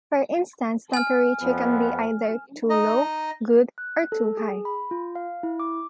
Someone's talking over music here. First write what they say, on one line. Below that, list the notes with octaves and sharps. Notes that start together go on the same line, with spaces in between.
For instance temperature can be either "too low", "good" or "too high".
G#5 F6
F2 B3
D#4 D#5
F#6
A4
G#4
B5
F4
F5
E4
D6